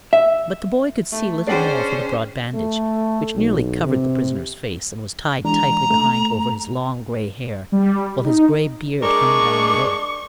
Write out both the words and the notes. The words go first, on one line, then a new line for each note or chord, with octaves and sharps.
But the boy could see little more for the broad bandage, which nearly covered the prisoner's face and was tied tightly behind over his long, gray hair, while his gray beard hung down low.
E5
A3
C#4 D4 G#4 C5 D5 F#5 G5 C7
A3
B1
C3
E3 G#3 D4 A#5
A3
G3
D#4
G#3 D4 A#4 C#6 D6